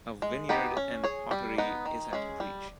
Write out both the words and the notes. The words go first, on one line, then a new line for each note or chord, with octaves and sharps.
A vineyard and pottery is at Breach.
G#3
B3 D#4 G4 B4
C#4
G#4 C#5
G3
B3 D#4
D#3
G#3 C#4 G#4
G3